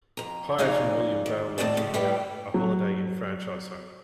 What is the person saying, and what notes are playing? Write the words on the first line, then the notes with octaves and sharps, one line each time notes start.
Pyatt and William Bowman Junior a Holiday Inn franchise owner.
F2 A#5
F2 C#4 D#4 G#4 D5 F5
D#3
D#2 A2 D#3 C4 D5 A5
F2 C#3
A2 G3 F4 B4 G5
F#3